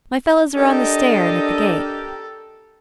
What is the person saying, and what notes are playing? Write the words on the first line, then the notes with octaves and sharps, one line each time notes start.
'My fellows are on the stair and at the gate.
D4 G4 A4 A#4 D#5 G5